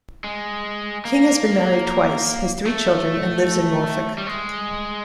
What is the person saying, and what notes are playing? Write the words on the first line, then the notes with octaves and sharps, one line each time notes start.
King has been married twice, has three children and lives in Norfolk.
G#3
A#3
A3
G3
G#3